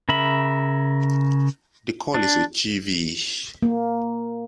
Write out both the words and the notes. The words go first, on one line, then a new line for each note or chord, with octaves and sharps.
The call is a "chee-veee".
C#3 A#4 E5 B5
D4
A#3